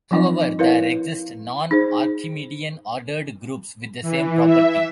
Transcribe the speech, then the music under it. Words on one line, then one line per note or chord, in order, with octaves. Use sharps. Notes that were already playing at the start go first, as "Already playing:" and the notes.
However, there exist non-Archimedean ordered groups with the same property.
F3 F#3 C4 D#4 F4 D#5
E4 A#4 B4 C#5 F5
D#4 G#4 C5
E3
E5